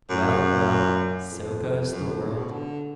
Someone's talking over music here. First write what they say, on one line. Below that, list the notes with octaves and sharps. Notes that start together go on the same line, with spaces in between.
Well, well! so goes the world!'
F#2
F2
F#2
F2
G#2
B2
D3